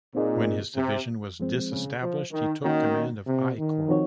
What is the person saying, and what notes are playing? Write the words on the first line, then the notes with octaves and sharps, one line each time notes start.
When his division was disestablished, he took command of I Corps.
A#2 C4 D#4 G#4 D#5
C3
F3 G#3 C4
C#3
F3
D#3
D#3 A#3 C#4 F#4
C3
D#3
F3 C4 D#4 F#4 C#5